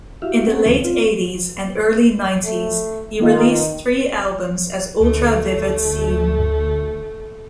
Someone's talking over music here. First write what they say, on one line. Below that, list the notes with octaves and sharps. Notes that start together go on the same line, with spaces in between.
In the late eighties and early-nineties he released three albums as Ultra Vivid Scene.
E4 F#4 G4 E5 F5
A#3 C4 C#4 G#4 C5 F#5
D#2 C#3 E3 F#3 G#3 C4
C4 F4
A3
D#3 A#3 F4 D#5
D2 A3